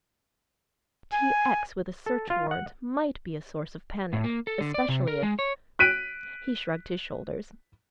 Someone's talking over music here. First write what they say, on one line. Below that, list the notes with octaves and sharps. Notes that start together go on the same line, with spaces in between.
T. X. with a search warrant might be a source of panic especially if--he shrugged his shoulders.
G#5
A4
F4
F#5
A2
A#3
A4
D3
D5
C3
A#4
G#3
C#5
F#6 B6 D7 D#7